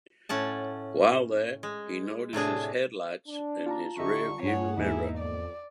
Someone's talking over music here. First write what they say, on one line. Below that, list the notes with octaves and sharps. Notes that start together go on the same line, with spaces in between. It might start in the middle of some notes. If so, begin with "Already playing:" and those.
While there he notices headlights in his rear view mirror.
A2 C#4 F#5 A5
G#3
A2 C3 D4 G#4
D4
F4 A5 A#5
D3 G4 D#5 E5 C#6
G2 G#4 C#5 F#5
E2 G#2 A#3 B3 D#4 E4 G#4 D#5
F2 D5